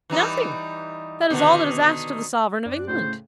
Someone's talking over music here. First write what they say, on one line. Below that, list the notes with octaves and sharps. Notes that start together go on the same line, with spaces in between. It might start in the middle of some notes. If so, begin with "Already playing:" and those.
Nothing!--that is all that is asked of the sovereign of England.
E3 G3 D#4
B2 D3 D#3
F#2 C4 D4 D6 F#6
A2 C#3 A3 C5